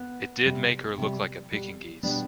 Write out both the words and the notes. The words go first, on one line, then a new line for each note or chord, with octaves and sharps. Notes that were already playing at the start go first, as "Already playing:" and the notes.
It did make her look like a Pekingese.
Already playing: B3
C3 G3
C3 G3
B2 G3
B2 G3 B3 D4